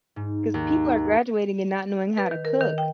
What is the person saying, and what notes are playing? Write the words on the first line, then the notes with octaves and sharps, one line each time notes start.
'Cause people are graduating and not knowing how to cook,
G#2
D#2
B4
D#3
A#4
D#3
G5